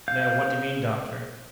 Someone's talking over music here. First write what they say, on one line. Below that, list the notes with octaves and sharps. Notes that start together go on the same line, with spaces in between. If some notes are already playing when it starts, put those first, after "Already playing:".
"No! what do you mean, doctor?"
F5 G6